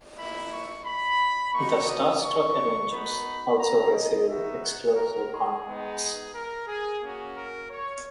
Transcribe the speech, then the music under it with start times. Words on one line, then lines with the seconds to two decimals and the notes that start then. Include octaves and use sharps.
The "Starstruck Avengers" also received exclusive contracts.
0.17 A#3 E4 B5
0.51 C#6
0.85 B5
1.54 A#3 D#4 F#4 C#6
1.88 D#6
2.22 C#6
2.91 B3 D#4 F#4 B5
3.59 A#5
3.93 D#5
4.27 G#3 B3 D#4 F#4 E5
4.62 F#5
4.96 A#4
5.31 G#4
5.65 G#3 B3 D#4
6.33 A#4
6.67 G#4
7.02 A#3 C#4 F#4
7.36 A#4
7.70 C#5